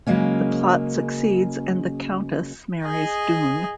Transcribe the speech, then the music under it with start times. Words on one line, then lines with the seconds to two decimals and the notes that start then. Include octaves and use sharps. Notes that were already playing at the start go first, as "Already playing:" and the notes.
The plot succeeds, and the countess marries Doon.
0.07 C#3 F#3 G#3 A#3 C#4
2.84 G#4 D#5